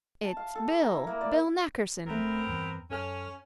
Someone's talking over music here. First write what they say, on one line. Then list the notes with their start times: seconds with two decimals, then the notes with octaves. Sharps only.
"It's Bill--Bill Nackerson!"
0.23 A5
0.37 F5
0.55 A4
0.67 G4
0.82 A#5
0.95 E4
1.07 A#3
1.21 D5
2.07 G#1 A3 B3 C4 A#4
2.46 E2 G2
2.90 F#2 C#4 A4 F6